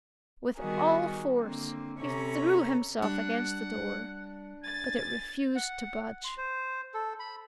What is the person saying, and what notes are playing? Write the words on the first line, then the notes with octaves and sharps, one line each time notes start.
With all force he threw himself against the door, but it refused to budge.
D#3 G3 B3 F#4 G#4 A#4
D3 A#3 C4
C3 C#4 A4 C#5 A#5 B5
G3 D4 F#5
G#5 A6
F#5
C6
C5
A4
B5